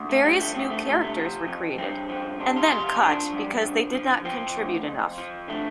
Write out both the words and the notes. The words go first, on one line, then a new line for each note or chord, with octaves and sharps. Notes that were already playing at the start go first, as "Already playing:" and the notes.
Various new characters were created, and then cut because they did not contribute enough.
Already playing: D2
A3
F3 G3
A3
D2 C4
A3
C3 A3
A3
F3
F2
G2 C4
F3
C3 D4
F4
C3 F4
F4
F3 D4
G2
F3
F3
F3 C4
D2
F2
F3
D3 A3